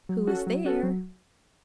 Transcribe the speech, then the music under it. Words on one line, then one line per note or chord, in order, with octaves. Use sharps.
"Who is there?"
F#3
C#4 F#4 A4
F#3
C#4 F#4 A4
F#3